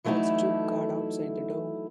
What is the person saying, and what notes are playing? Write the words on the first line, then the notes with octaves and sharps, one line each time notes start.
One stood guard outside the door.
E3 F#3 A3 D#4 E4 A4